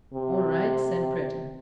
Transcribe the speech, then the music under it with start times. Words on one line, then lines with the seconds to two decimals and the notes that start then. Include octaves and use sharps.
"All right," said Breton.
0.14 C3